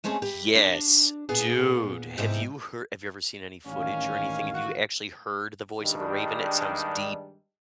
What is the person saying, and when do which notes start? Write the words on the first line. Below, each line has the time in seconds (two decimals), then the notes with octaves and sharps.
Yes, dude, have you hear have you ever seen any footage or anything? Have you actually heard the voice of a raven? It sounds deep,
0.04 G#3 A3 C4 C#4 G#4 C#5
0.22 G4 B4
0.55 D4
1.29 A#2 B3 G#4
2.18 G#2 C3 B3 C4 D#4 E4
3.66 A1 D#3 G3 A#3 C#4 F5
4.53 F#4
5.81 G2 D#3 G3 G#3 D4 D#4